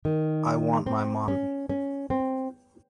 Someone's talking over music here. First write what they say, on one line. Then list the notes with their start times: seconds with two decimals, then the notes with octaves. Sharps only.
I want my mommy.
0.05 D#3
0.86 C4
1.28 C#4
1.69 C#4
2.10 C4